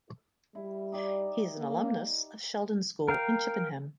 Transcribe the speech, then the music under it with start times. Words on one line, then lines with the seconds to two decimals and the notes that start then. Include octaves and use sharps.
He is an alumnus of Sheldon School in Chippenham.
0.55 G3 E4
0.92 D#4 G4 D5
1.58 A#3
3.08 A#4 F5 G5